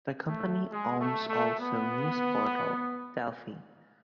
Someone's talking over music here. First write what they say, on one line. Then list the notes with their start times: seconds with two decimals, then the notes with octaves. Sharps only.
The company owns also news portal "Delfi".
0.28 A3
0.72 G#3
1.00 A3
1.29 A3
1.59 B3